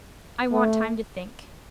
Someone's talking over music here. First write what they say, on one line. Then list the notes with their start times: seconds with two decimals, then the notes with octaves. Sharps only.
"I want time to think."
0.52 A3